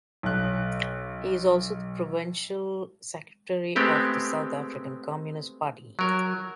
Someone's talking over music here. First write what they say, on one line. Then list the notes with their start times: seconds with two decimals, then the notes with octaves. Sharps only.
He is also the provincial secretary of the South African Communist Party.
0.23 B1 F#6
3.76 G#3 A3 B3 C4 G4
5.99 F#3 A#4